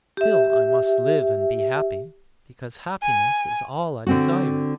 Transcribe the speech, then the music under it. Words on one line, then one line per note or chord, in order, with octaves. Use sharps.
'Still I must live and be happy, because happiness is all I desire.
G4 E5
G#5
D3 C4 F#4